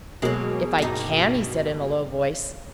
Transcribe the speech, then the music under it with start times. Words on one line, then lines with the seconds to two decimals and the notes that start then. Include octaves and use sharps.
"If I CAN!" he said, in a low voice.
0.22 B2 F#3 G#3 A#3 G#4
0.78 G2 D#4